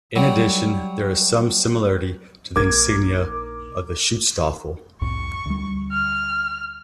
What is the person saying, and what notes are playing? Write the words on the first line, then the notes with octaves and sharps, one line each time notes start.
In addition there is some similarity to the insignia of the Schutzstaffel.
F#3 G3
A#1 D#4 A#4 D6 G#6
C2 F2 A2 C#6
D2 G3
F6